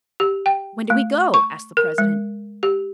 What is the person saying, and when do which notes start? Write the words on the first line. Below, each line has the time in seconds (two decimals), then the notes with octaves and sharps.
"When do we go?" asked the president.
0.20 G4
0.46 G5
0.90 A3
1.34 C#6
1.77 A#4
1.98 G#3
2.63 G4